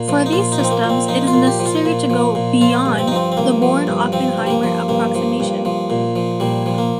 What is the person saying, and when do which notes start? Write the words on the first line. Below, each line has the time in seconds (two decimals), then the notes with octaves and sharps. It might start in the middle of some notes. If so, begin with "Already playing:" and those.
For these systems, it is necessary to go "beyond" the Born-Oppenheimer approximation.
Already playing: A#2
0.08 F3
0.26 D#4
0.32 A#2 F4
0.52 D#4
0.58 F3
0.64 C4
0.72 A#3
0.84 A#2
0.90 C4
1.08 F3 D#4
1.27 F4
1.34 A#2
1.47 G4
1.59 F3
1.66 F4
1.85 A#2
2.10 F3
2.35 A#2
2.61 F3 F4
2.86 G2
2.98 C4
3.08 D#4
3.12 F3 C4
3.32 C4
3.37 G2 A#3
3.62 F3
3.87 G2
4.12 F3 C4
4.37 G2
4.46 G3
4.50 A#3
4.63 F3
4.88 G2 A#3
5.15 F3
5.40 G2
5.65 F3
5.90 A#2
6.16 F3
6.40 A#2 G3
6.66 F3
6.78 A#3